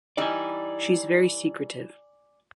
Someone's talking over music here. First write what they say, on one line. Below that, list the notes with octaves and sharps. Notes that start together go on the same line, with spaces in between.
She's very secretive.
E3 G3 D#4 D5 G#5